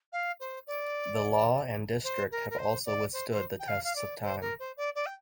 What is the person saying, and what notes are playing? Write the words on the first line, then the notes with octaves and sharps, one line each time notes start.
The law and District have also withstood the tests of time.
F5
C5
D5
C5
A#4
A#4
C5
D5
C5
C5
G5
F5
F5
D5
C5
A#4
C5
D5
D5
G5